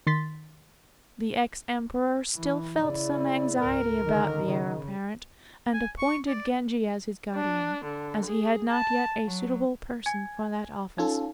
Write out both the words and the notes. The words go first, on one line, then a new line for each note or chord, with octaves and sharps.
The ex-Emperor still felt some anxiety about the Heir-apparent, and appointed Genji as his guardian, as he had not yet a suitable person for that office.
D#3 C6 A6 B6
E3
C#3 E4 D5
C#2 G#2 A#4
D3 D#3
C#3
G#5
C#6
D5
D4
D3
G#4
A5
F#3
G#5 G#6
C#4 D#4 F4 A4